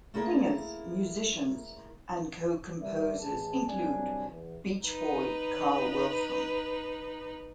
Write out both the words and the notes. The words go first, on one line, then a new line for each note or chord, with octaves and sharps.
Singers, musicians and co-composers include; Beach Boy Carl Wilson.
A3 A#3 E4 G#4 A#4
G3 A#4 B4 D5 E5
A1 G#4 A5
C2 C3 F#3 D4 D5 G#5
E2
D#4 B4